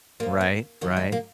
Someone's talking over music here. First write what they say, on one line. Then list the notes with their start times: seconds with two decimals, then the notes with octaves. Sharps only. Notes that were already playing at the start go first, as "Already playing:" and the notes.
Right, right.
0.20 A#2 A#3
0.23 F3
0.41 B3
0.81 D#2 D#3 F#3 A#3
0.97 G#3
1.12 A#3